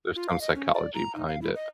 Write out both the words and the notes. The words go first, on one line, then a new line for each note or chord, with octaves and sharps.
There's some psychology behind it.
F4
F5
D#5
C#4
D5
A#5
D#4
F5
E4
D#5